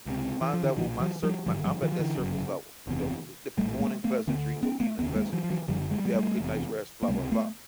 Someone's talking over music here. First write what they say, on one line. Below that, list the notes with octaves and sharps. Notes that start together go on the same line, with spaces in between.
my level, my surf my I'm at that surface level, y'know, the the morning pleasantries or evening pleasantries, "You have a good night's rest" blah, blah blah,
C#2 C3
E3
F3
D3 E3
B1 A#2 D#3 F3
E3 F#3
F3 G3
G#1 G2 D3 F3 G3
F3 G3
D#3 F3
F3
D3 E3
G1 F#2 C#3
F#1 E2 C3
A#1 A2 G3 A3
G#3 A#3
A3 B3
D2 D3 A#3 C4
B3 C#4
A3 B3
F1 D#2 C#3 B3
G#3 A#3
E3 F#3
F3
E3 F#3
F#1 F#2 D3 F3 G3
G#3
G3
F#3 G#3
G3 A3
F1 E2 C3
A#3
C#2 C3 G3 A3
A3 B3